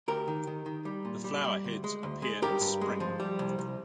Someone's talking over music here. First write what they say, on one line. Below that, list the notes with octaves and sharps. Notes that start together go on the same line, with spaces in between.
The flowerheads appear in Spring.
D2 G4 A#4
D#3
D#3
D#3
G3
A#2
G3
G3
D2
G#3
D2
G#3
G2 G4 A#4
G2
G#3
F3
G3
C2
C2